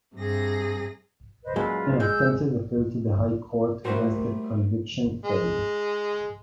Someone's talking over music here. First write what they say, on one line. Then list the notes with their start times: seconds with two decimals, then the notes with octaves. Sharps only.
An attempted appeal to the High Court against the conviction failed.
0.15 G2 C3 G#4 A#6
1.43 B4 C5 D#5
1.56 F#2 A#2 G#3 F4 B4
2.00 G#3 E6 G6
3.85 G3 A3 A#3 E4 F#4 A#4 C5
5.25 G#3